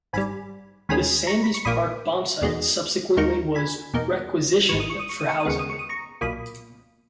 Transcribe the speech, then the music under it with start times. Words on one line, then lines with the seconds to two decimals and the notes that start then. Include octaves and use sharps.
The Sandheys Park bombsite subsequently was requisitioned for housing.
0.13 G#1 G2 G3 G#5 B5
0.89 D#2 D#3 G#3 C#4 G#5 B5
1.27 A#5 C#6
1.43 B5
1.54 C#6
1.65 A#1 A#2 A#3 B5 D#6
2.42 E2 B2 G#3 D#4
3.17 D#2 D#3 A#3 D#4 A#5 C#6
3.55 G#5 B5
3.94 E2 B2 A#3 D#4
4.69 G#1 G#2 E3 C#6
4.80 D#6
4.90 C#6
4.99 D#6
5.09 C#6
5.19 D#6
5.29 C#6
5.40 D#6
5.45 D#2 C#3 G#3 B3 C#6
5.59 D#6
5.70 C#6
5.79 D#6
5.89 A#5 C#6
6.21 B1 A#2 A#3 B5 D#6